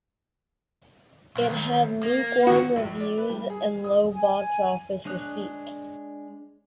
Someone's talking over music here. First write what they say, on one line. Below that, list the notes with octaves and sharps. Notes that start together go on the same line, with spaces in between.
It had lukewarm reviews and low box-office receipts.
B1
D#2
A#3
D#2 F#4
A#1
D5
B4
G3
G#4
D#6
G#5
G#3 D4 C#5 D#6 F#6